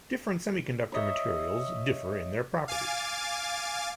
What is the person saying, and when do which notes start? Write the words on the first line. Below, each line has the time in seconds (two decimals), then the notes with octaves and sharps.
Different semiconductor materials differ in their properties.
0.92 C#5 D#5 E5
2.68 F5 G#5 D6 A6